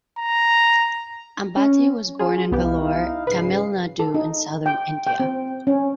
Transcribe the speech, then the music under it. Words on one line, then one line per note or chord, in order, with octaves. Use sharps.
Ambati was born in Vellore, Tamil Nadu in southern India.
A#5
C#4
F4 F#4 G#4 G#5
C2 B3 D#4 E4 G4 F5
G#2 C#3 B4 C7
A4
D#4
G5
G5
C4
C#4